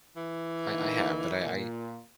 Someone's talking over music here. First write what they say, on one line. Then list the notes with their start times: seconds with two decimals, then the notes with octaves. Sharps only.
I I have, but I
0.17 E3
0.71 D3 A#3 D#4
1.43 A#2